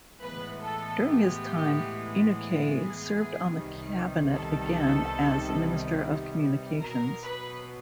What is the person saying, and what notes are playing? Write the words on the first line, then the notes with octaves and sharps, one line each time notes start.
During his time, Inukai served on the cabinet again as Minister of Communications.
A2 E3 G#3 B3 B4
A4
G4
G#4
C2 C3 D#3 G3 B3
A4
B2 F#3 B3 A#4
B4